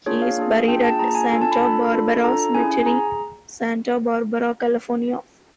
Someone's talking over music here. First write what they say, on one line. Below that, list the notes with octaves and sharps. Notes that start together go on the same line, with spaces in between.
He is buried at Santa Barbara Cemetery, Santa Barbara, California.
A#3 D4 F4 G#4 C#5
F5
A#3 D4 F4 G#4
A#3 D4 F4 G#4 G5
A5
A#3 D4 F4 G#4 A#5
G#5
D4 F4 A4 G#5
A5
B5
D4 F4 A4
D4 F4 A4
D4 F4 A4 A#5
C#4 E4 G#4 G#5
G#5
G#4 A#5